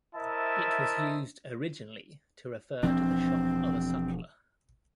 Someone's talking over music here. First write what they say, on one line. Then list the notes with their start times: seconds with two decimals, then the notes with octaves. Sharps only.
It was used originally to refer to the shop of a sutler.
0.16 E4 A#4 C5 D#5 E5 A5
2.83 E1 F3 C4 D4